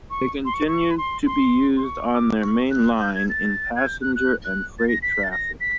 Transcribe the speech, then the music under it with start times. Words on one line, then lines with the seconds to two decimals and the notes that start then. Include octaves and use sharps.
They continued to be used on their main line in passenger and freight traffic.
0.10 C#6
0.45 C6
0.54 C#6
0.68 C#6
0.91 B5
0.98 C6
1.26 C6
1.77 C6
1.84 C#6
2.14 D6
2.42 C#6
2.71 F#6
3.00 G6
3.15 G#6
3.29 A6
3.76 G#6
3.87 G6
4.02 F#6
4.16 F#6
4.45 F#6
4.79 A6
4.88 A#6
5.02 B6
5.23 A6
5.32 A#6
5.60 B6